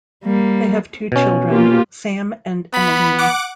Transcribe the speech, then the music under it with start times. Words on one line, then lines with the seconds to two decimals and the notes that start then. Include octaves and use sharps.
They have two children, Sam and Emelyn.
0.25 G3 A#3
1.12 B2 C#4
1.51 A#3 F4 G4
2.74 B3 B5
3.18 F#5 D6